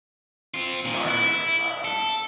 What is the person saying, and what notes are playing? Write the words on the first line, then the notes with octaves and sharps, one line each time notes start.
started, um,
C4 F4
A#2 D#3
E4
A4